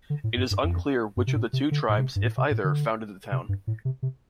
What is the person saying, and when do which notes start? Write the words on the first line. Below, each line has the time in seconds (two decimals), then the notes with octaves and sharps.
It is unclear which of the two tribes, if either, founded the town.
0.10 D3
0.24 A2
0.37 G2
0.51 G2
0.64 F2
1.17 G2
1.27 C3
1.35 A2
1.53 C3
1.71 D3
1.89 A2
1.97 C3
2.16 G2
2.24 A2
2.37 C3
2.51 A2
2.64 D3
3.32 C3
3.49 G2
3.67 A2
3.85 C3
4.03 C3